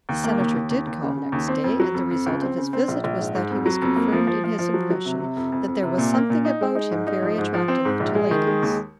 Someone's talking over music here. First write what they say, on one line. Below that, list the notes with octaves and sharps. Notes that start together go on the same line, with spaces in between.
The Senator did call next day, and the result of his visit was that he was confirmed in his impression that there was something about him very attractive to ladies.
D#2
A#3
D#2
D#2
D#2
D#2
C#3
C#3
D#2
C4
F2
F#3
F2
F2
C#2
C4
C#3
C4
A#1
A#1
G#2
G#2
F2
F#3
F2
A#3
F3
F3
F3
F3
F#3
F#3
C3
C3
F2
F2
F2
C3
A#2
A#3
A#2
D#4
G#3
D#4
G#2
D#4
F3
G#2
F3
C4
G#2
A#1
G#3
D#3
G#3
D#2